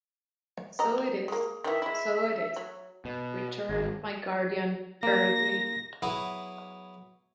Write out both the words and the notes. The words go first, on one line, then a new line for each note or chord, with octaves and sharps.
"So it is, so it is," returned my guardian hurriedly.
F#3 D#5 A#5
G#3 A#3
D#3 E3 E5
G#3 E4
F#3
B2
G#1
A#3 A#6
F#3 B3 E4 G#4 B4